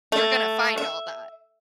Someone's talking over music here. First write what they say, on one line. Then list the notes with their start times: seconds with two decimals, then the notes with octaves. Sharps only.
you're gonna find all that.
0.12 A3
0.78 E5